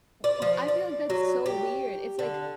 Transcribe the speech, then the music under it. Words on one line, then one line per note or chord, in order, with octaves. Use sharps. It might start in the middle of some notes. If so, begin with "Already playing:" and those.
And I feel like that's so weird. It's like
D5
F3
D5
F#3
G4
D3